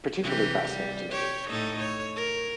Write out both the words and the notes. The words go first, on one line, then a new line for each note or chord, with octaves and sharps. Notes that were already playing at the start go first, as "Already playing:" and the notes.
particularly fascinating to me.
C3 E3 G4
G3
G4 C#5
A2 D#4 A4
C#5
A#4